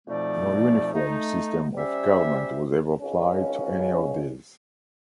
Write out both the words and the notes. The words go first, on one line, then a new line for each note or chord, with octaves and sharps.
No uniform system of government was ever applied to any of these.
F2 B2 F3 A3 D#4 D5
A3 D#4
G3 C#4 C5 E5
G#1 C#2 C#4